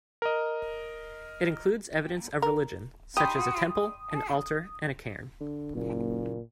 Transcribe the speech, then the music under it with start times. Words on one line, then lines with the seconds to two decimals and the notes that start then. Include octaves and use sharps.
It includes evidence of religion, such as a temple, an altar and a cairn.
0.22 A#4 D#5
2.42 A#4
3.17 G4 G5 B5 C6 D#6
5.40 D3
5.75 F#1 A#2